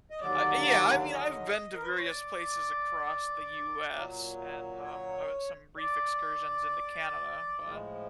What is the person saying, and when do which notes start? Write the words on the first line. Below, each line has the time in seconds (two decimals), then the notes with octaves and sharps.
I uh, yeah, I mean, I've been to various places across the US and, um, I had some brief excursions into Canada, but
0.10 D#5
0.20 D#2 D3 F#3 D5
1.12 D#5
1.73 A#4
1.81 B4
1.90 C5
1.97 C#5
2.06 D5
3.91 A#2 F#3
4.84 C#5
5.77 D5
7.62 A2 F3 G#3